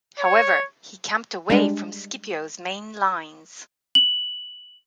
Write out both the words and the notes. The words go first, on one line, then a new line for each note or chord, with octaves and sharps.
However, he camped away from Scipio's main lines.
C#5
G3 G#3 D4
F#7